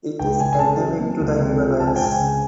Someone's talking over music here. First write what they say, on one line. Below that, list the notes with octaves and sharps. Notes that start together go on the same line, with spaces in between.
It is endemic to the Himalayas.
C#2 G5
C#2 G#5
G#5
C#3 A5
F#3
A#3
C#2
C3
F3
C#2 A5
G#5
C#2 G5
G#5
C#3